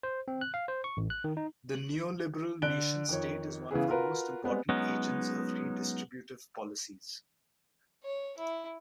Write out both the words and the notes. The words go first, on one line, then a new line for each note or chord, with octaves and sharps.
The neoliberal nation-state is one of the most important agents of redistributive policies.
C5
C4
F#6
F5
C5
C#6
A1
F#6
D#3
D#4
D3 F#6 D7 G7
F2 D#3 C#5
C#3 E3 B3 E4 G#4
F4 F#4 A#4 B4
G3 G#3 B3 C4
F#3 G#3 B3 C#4 D#4
C#5
E4